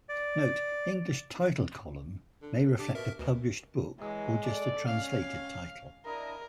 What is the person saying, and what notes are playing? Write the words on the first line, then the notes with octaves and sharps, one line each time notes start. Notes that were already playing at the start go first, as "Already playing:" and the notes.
Note: English title column may reflect a published book, or just a translated title.
D5
D3
D4 G4 D6
B2 A#4 E5
D2 B2
E3 F#3 G#3
A4 D5
C#4 F5
D4 E4 A#4 D#5